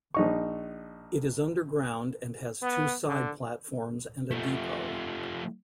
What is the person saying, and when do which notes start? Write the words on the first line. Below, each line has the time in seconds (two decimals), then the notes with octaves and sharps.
It is underground and has two side platforms, and a depot.
0.14 A#1 D#4 C#6
2.62 B3
3.06 D3
4.31 F3 A3